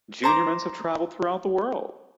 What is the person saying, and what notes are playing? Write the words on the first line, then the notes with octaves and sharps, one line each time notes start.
Junior Mints have traveled throughout the world.
C5 A#5 D6